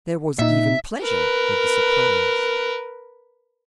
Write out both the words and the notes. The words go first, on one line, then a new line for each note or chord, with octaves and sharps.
There was even pleasure with the surprise.
A#2 D#4 E5
A#4 B4